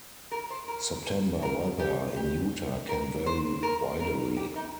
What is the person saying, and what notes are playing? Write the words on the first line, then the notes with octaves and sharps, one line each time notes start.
September weather in Utah can vary widely.
A#4
C5
A#4
A#4
G4
G4
A#4
C5
A#4
A#4
G4
D#4